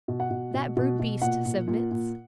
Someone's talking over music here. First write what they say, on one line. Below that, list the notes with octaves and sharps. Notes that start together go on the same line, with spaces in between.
That brute beast submits.
B2
F#5
B2
B2
B2
B2
A#2 F#5
A#2
A#2
A#2